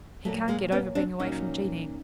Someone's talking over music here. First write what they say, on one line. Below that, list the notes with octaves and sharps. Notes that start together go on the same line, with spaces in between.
He can't get over being away from Jeanie.
A#2 F#3 A3
G#3 A#3
B3 C#4
C4 D4
A#2 F#3 C#4 D#4